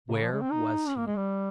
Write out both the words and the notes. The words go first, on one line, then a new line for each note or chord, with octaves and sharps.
Where was he?
C3
C#3
F3
G#3
C4
D#4
C#4
A#3
G#3
G3